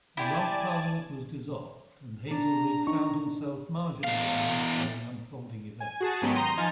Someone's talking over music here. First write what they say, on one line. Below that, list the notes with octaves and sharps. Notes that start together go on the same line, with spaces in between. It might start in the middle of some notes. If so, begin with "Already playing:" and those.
The Rump Parliament was dissolved and Haselrig found himself marginalised by the unfolding events.
E4 G4 D5 G#5 A5 C6
D4 A#5
D#4 C#6
E2 F5
G#5
F#4 G#4 A5
G#2 D#3 F#3 B3 C#4 G4
A#5 C6 D#6 G6 A#6
F3 D#4 G#5 A#5 F6 A6